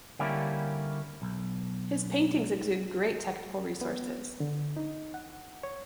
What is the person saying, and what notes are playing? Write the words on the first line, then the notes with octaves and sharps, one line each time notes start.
His paintings exude great technical resources.
D3 G3 A#3 C#4 E4 G4
B1
B3
D3
D#4
F#5
C#5